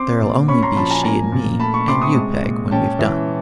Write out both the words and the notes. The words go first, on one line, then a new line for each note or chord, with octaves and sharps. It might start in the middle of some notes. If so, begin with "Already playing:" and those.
There'll only be she and me--and you, Peg, when we've done.'
Already playing: C4 C6 D6
A#2
C#4 B5 C#6
A#5 C6
F3 A5 B5
G#5 A#5
A#3 G#5 A#5
A#2
A3 A5 B5
B5 C#6
C3 C6 D6
C#6 D#6
G#3
A#2
C#4 G5 A5
E3